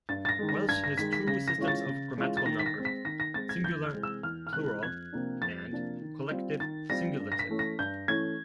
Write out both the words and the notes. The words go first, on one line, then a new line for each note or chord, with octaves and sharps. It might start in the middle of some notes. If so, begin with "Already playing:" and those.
Welsh has two systems of grammatical number, singular-plural and collective-singulative.
G2 A6
A6
A#6
D#3 G#3
A#6
G2 G#6
A#6
D#3 G#3 B6
B6
C#3 A#6
A#6
E3 G#3 C#4 F4
A6
C#3
E3 G#3 C#4 F4
A6
D#3 A#6
B6
A#6
G#3 C4
B6
D#3 A#6
A#6
G#3 C4 A6
G#6
E2 G6
F6
C3 E3 G#3 C4
E6
E2 F6
F6
C3 E3 G#3 C4 F#6
F2 G#6
C3 F3 A#3 D4
F2 A6
C3 F3 A#3 D4
D#3
G3 C4 F4
D#3 A6
G3 C4 F4 A#6
G2
A#6
B6
E3 A3 C#4
A#6
G2 G6
E3 A3 C#4 G#6